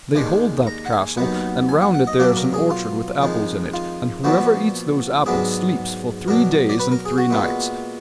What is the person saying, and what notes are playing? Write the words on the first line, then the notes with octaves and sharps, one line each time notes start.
They hold that castle, and round it there is an orchard with apples in it, and whoever eats those apples sleeps for three days and three nights.
D#2 D#3 G#3 D4 G#5
A#5
F#5
G#5
D#2 D#3 F#3 B3 F#5
G#5
F#5
F#5
D#5
B2 F#3 A#3 D4 D5
A#4
G#4
F4
F2 D#3 G#3
F4
A#2 F3 B3 D4 F#4
G#2 F#3 B3 D4 G#4
B2 F#3 D4 A#4
D5
B4
A#4
G#4
F#4
A#2 G#3 B3